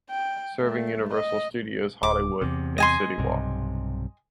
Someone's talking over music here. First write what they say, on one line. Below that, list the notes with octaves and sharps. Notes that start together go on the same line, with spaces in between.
Serving Universal Studios Hollywood and City Walk.
G5
A3
D#5
D1 D6
E2 C3
D#5 G#5 C6
B1 G2 C3